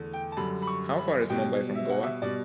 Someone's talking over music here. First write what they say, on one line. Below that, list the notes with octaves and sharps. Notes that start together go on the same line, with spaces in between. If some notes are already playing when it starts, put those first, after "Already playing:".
How far is Mumbai from Goa?
Already playing: E2 D3 A3
G5
A5
F#2 D3 G3 B5
B5
C#6
B5
B2 G3 G5
E5
F#5
E5
B2 G3 D5